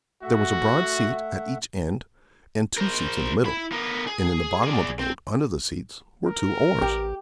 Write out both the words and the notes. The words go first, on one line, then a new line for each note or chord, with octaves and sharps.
There was a broad seat at each end and two seats in the middle, and in the bottom of the boat, under the seats, were two oars.
A3 F#4 E5 F#5
A#4 C5
E4 B5
B3 A#4
G#4
G#4 D5
C4
A#4
A1 G4